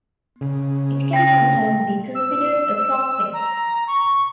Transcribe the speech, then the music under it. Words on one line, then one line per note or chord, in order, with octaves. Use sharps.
It can sometimes be considered a crop pest.
C#3
G5 A#6
E6
A#5
C#6